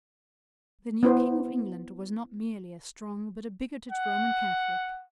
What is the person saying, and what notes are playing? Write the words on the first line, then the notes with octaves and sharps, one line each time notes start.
The new King of England was not merely a strong but a bigoted Roman Catholic.
B3 E4 C5
F#5